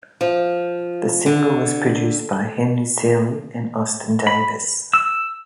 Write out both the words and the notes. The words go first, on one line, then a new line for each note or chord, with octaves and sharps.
The single was produced by Henry Seeley and Austin Davis.
F3
D3
B5
E6